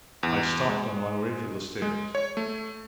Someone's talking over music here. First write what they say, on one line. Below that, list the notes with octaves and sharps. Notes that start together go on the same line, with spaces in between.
I stopped on my way to the stairs.
E2
G#3
G#3
C#5
A3